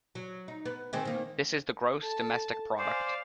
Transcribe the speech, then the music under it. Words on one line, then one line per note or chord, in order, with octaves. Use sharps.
This is the gross domestic product.
F#3
D#4
B3
D#3 G#3 C4
D#3 A#3
A4 A5
C5 D5 F5 G#5